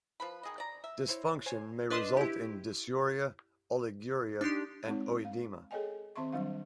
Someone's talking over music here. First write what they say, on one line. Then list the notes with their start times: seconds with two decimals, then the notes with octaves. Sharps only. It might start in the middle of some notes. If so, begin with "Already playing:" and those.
Dysfunction may result in dysuria, oliguria, and oedema.
0.20 F3 B4 B5
0.43 D#3 G#4 D#5
0.58 D5 A#5
0.84 E5
1.08 E4 C5 C#5
1.46 C5 C#5 G#5
1.90 D4 B4 D#5 C6 E7
2.17 E4 G4
4.41 D4 D#4 G4 C6
4.87 G#3 C4 D#4 C#5
5.25 F5
5.71 G#4 A4 C#5 D#5 G5 G#5
6.16 D#3 C4 E5 C6 C#6
6.33 D#3 F#3 G3 D4 F5